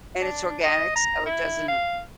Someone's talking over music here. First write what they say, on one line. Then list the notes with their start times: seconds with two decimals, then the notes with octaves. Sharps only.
and it's organic so it doesn't, uh
0.22 D4
0.64 D#5
0.96 A#5
1.26 E4
1.68 F5